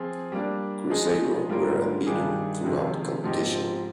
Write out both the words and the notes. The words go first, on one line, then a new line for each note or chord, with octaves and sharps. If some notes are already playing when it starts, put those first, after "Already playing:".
Cruzeiro were unbeaten throughout the competition.
Already playing: F3 C4 F4 G#4
G3 A#3 D4
F3 G#3 D#4 G#4
G#2 G3 A#3 F4 A#4
G2 D#3 G3 D4 G#4
F2 C3 D#3 G#3
G#2 F3 C4 D#4 G4